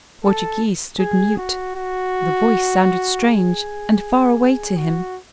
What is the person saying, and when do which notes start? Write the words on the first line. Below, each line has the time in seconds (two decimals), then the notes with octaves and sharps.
Portoghese stood mute; the voice sounded strange and far away to him.
0.24 A4
0.99 G#4
1.38 F#4
1.76 F#4
3.26 G#4
4.78 F#4